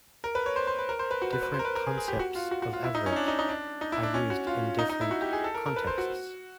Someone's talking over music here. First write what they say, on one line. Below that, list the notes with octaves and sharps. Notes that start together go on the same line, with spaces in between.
Different concepts of average are used in different contexts.
A#4
B4
C#5
C5
C5
B4
A#4
C5
B4
F#4
B4
B4
C5
A#4
B4
A#4
G#4
G#4
G4
F#4
F4
F#4
F#4
F4
E4
D#4
C#4
D#4
D4
D#4
D#4
D4
D#4
E4
D4
C#4
F#4
F4
D#4
D#4
E4
F#4
G4
G#4
A4
A#4
A#4
B4
C5
F#4